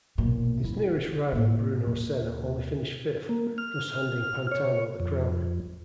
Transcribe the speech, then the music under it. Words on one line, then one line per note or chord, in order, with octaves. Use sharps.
His nearest rival Bruno Senna only finished fifth, thus handing Pantano the crown.
B1 A#2
F1 E4
A2 A#3
D#2
A#3
F6
C#5
F2